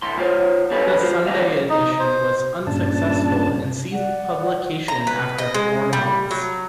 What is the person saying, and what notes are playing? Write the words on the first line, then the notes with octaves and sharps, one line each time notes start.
The Sunday edition was unsuccessful and ceased publication after four months.
D2 A2 C6
F4 C5 C#5
D2 D3 G3 B4 C#5 F5
F4 C5
D#3 A3 D5 D#5 F5
D#4
C5
G2 A#2 C#3 D4 A5
D5 F#5
A#5
B4
D#5
G#3
G3
F#3